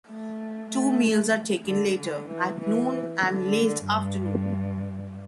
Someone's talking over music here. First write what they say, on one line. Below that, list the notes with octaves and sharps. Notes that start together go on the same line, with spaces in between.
Two meals are taken later; at noon and late afternoon.
A3
A3
D3
D3
E3
E3
D3
G2